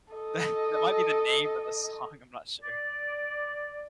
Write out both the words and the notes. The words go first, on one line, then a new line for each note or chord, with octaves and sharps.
That that might be the name of the song, I'm not sure.
A4 D#5
D5